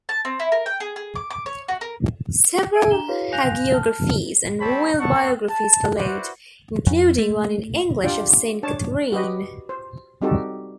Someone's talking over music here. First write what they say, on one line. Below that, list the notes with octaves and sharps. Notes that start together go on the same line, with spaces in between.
Several hagiographies and royal biographies followed, including one in English of Saint Katharine.
A5
C4
E4
A#4
G5
G#4
G#4
D6
D6
C#5
F#4
A#4
E5 E6 G#6 D7 D#7
D4 A#5 E7 G7
E4 F#4 G#4 B4 C#5 F5
F5 G#5 F#6 G6 A#6 F7
A5 F6
G3 A3 C4 C#5 A5 B5
B3 A4 C#5 F#5 A5 C#6
A5
E4 F#4 B4 C5 D5 F#5
F2
A3
D4 F4 G4 D5 G5
D4 C#5 A5
F#4 G4 B4 D#5
C5
G3 C4 D#4 F#4 G4 A4